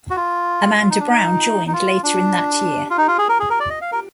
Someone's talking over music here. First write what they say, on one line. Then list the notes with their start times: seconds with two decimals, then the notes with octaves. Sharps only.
Amanda Brown joined later in that year.
0.10 F#4
0.17 F4
0.80 F4
0.90 D#4
1.00 D4
1.10 D#4
1.67 D#4
1.73 F4
2.03 D4
2.90 F4
2.98 D#4
3.08 F4
3.18 G#4
3.29 A#4
3.40 G#4
3.50 A#4
3.60 D5
3.70 D#5
3.81 F5
3.92 A#4